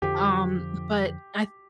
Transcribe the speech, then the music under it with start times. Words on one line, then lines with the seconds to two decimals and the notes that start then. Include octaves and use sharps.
um, but I
0.02 F2 D3 F3 G4